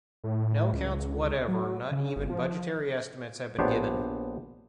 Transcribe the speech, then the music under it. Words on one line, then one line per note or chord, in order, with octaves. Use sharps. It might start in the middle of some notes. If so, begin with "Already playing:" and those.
No accounts whatever, not even budgetary estimates have been given.
A2
C#2
F#3
C#3
G1
F3
A#1 B3 D4 G4 C5 C#5